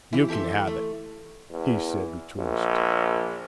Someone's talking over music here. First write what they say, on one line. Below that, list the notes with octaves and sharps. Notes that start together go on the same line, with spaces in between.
"You can have it," he said between his teeth.
E3 G4
G4 A4 E5 C6
A3
E2
A#1